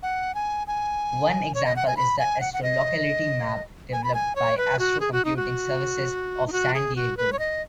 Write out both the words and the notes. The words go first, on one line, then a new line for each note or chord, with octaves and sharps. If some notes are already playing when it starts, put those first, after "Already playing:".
One example is the "Astrolocality Map" developed by Astro Computing Services of San Diego.
F#5
G#5
G#5
C#5
D#5
F#5
G#5
B5
G#5
F#5
F#5
D#5
G#5
B5
G#5
C#5
B4
F#4
G#4
F#4
D#4
F#4
D#4
F#4
G#4
F#4
B4
C#5
D#5